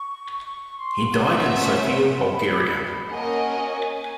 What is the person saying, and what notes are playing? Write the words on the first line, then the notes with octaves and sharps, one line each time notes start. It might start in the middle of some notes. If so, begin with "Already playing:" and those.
He died in Sofia, Bulgaria.
Already playing: C#6
C#6
C6
A3 C#4 F#4 B4 E5 C6
B5
B5
A#3 C#4 F#4 A#4 D#5 G#5
A5
G#5